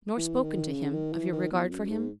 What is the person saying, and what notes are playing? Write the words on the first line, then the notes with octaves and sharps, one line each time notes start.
"Nor spoken to him--of your regard for him?"
E3
D#3
C#3
D#3
E3
D#3
E2
F#2
G#2